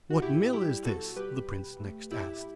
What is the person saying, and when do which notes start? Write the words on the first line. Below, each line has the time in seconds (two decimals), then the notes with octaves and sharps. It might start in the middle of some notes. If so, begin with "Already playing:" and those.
"What mill is this?" the prince next asked.
0.10 F#4
0.22 A2 E4 G4
0.53 G3 E4 G4
0.85 B2 F#4 A4
1.16 G3 G4 B4
1.48 B2
1.80 A3
2.11 A2 E4 G4